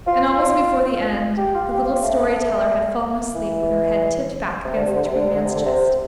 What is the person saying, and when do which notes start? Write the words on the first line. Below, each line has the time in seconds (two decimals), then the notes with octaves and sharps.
And almost before the end the little story teller had fallen asleep with her head tipped back against the Tree Man's chest.
0.07 F4
1.38 G4
1.54 F4
1.71 G4
1.87 F4
2.03 A3
3.35 E3
4.65 C3
4.75 D3
4.85 C3
4.95 D3
5.05 C3
5.15 D3
5.25 C3
5.35 D3
5.45 C3
5.55 D3
5.65 C3